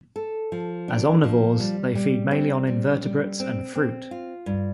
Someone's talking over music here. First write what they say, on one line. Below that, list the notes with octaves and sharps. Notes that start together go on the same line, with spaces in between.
As omnivores, they feed mainly on invertebrates and fruit.
A4
F3
D4
F3
G3
G3
C4
G3
G3
C4
C4
F4
G2